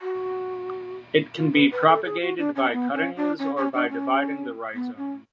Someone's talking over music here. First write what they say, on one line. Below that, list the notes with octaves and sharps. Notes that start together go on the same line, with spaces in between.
It can be propagated by cuttings or by dividing the rhizome.
F#4
F4
B4
B4
A4
G#4
F#4
D4
C#4
B3
C#4
D4
C#4
C#4
D4
C#4
B3
C#4